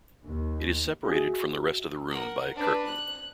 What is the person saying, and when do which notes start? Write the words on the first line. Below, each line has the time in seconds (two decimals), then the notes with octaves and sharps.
It is separated from the rest of the room by a curtain.
0.24 D#2
1.05 F#4 G#4 D#5 E5
2.09 A#4 F#5
2.55 D4 B4
2.86 F#6